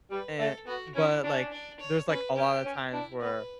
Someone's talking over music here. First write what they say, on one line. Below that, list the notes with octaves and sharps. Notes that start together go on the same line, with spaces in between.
eh but, like, there's, like, a lotta times where
G3 B4
A3 A4
B3 F#4
C#4 E4
C#4 D4
D4
C#5
C#4 B4
C#4 G4
C#4
D4 E4
B3 B4